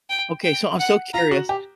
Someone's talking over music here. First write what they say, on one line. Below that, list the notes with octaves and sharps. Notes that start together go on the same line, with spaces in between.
Okay, so I'm so curious
G5
G5
F#5
F4 A#5
F#4
G4